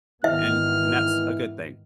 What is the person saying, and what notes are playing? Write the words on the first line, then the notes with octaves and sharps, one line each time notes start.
and and that's a good thing.
G#1 D#3 E3 B3 E5 F6